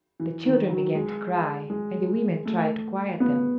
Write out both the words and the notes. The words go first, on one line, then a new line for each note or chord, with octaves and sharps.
The children began to cry, and the women tried to quiet them.
E3
D#3
F#3
G#3
G#3
A3
B3